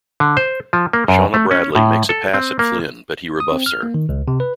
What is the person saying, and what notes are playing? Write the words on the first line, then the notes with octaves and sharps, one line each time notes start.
Shauna Bradley makes a pass at Flynn but he rebuffs her.
D3
C5
F3
A#3
F#2
A3
C#4
A2
A4
C4
A#3
D#6
C4
F6
A#3
D#3
C#2
C3
B4